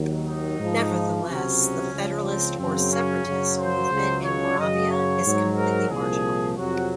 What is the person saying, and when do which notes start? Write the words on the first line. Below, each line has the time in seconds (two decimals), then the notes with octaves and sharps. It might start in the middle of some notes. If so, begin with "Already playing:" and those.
Nevertheless, the federalist or separatist movement in Moravia is completely marginal.
Already playing: D#2 D#3 F#3
0.25 D#4
0.58 G#2 F3
1.24 C#2 C3 F#3 C#4
1.91 C#2 C#3 F3
2.25 C4
2.57 F#2 C#3 F#3 C4
2.91 C#4
3.24 F#2 C#3 F#3
3.57 C5
3.90 C#2 C#3 F#3
4.24 C#5
4.57 F#2 C#3 F#3 D#5
4.90 C#5
5.24 G#2 F#3
5.56 A#4
5.90 C2 A#2 F3 G#4
6.56 F2 C3 F#3 F#4